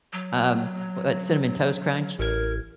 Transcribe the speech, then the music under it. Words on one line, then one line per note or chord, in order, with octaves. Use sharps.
um, what Cinnamon Toast Crunch.
F#3
A1 A#4 G#6